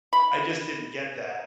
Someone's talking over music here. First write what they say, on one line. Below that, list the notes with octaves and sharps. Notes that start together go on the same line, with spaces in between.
I just didn't get that,
B5